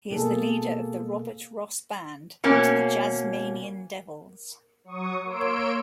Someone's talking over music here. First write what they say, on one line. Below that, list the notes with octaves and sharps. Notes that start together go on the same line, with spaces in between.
He is the leader of the Robert Ross Band and The Jazz-Manian Devils.
B2 A#3 G#4 A4
B2 A#3 C#4
F#3 C#6 D#6
A#3 C#5 C6 E6 D7